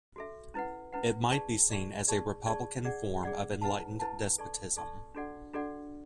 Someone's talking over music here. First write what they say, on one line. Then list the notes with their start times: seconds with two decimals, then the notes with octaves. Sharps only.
It might be seen as a republican form of enlightened despotism.
0.16 F#4 A4 E5
0.54 C#4 E4 B4 F#5
0.93 C#4 E4 B4 F#5
1.31 G#4 D5 A5 C#6
1.69 G#4 D5 A5 C#6
2.08 G#4 D5 A5 C#6
2.46 G#4 D5 A5 C#6
2.85 G#4 D5 F#5
3.23 G#4 D5 F#5
3.61 E4 B4 F#5 A5
4.00 E4 B4 F#5 A5
4.38 A4 D5 A5 C#6
4.76 A4 D5 A5 C#6
5.15 D4 F#4 A4 D5 F#5
5.53 D4 F#4 A4 D5 F#5